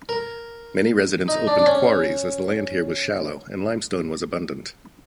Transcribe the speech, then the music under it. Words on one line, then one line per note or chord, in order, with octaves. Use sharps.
Many residents opened quarries as the land here was shallow and limestone was abundant.
A#4
D#4
D4
D4
C#4